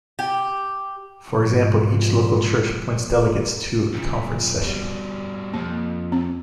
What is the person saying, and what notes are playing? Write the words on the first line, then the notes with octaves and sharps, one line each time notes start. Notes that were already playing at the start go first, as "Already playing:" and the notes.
For example, each local church appoints delegates to a conference session.
G4
G#2 F3
F#2 A#2
B2 G3
F2 A#3
C4